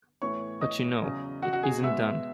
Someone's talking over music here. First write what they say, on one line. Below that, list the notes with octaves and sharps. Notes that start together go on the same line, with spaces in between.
But you know, it isn't done.
A2 E3 B3 C#5 C#6
D#5 D#6
E2 C#3 F#3 C#4
F#4 F#5
F#4 F#5
G#4 G#5
B2 G#3 B3 E5 E6